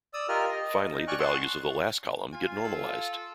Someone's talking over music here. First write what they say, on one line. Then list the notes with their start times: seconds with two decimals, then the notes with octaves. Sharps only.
Finally, the values of the last column get normalized.
0.14 D5 D#6 E6
0.29 F4 G4 A#4 D#5 F6
0.52 D#5
0.91 D#4
1.08 D5 G5 G#5 C#6 F6 F#6
1.19 F#5 A5 C6 C#6
2.32 F4 G#5
2.64 A4